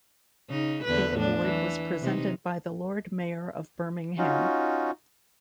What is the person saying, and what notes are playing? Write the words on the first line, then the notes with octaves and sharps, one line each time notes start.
The award was presented by the Lord Mayor of Birmingham.
C#3 D#4
E2 D3 B4
A2 D4
E3
C3 D#4
C#4 D#4 F4 F#4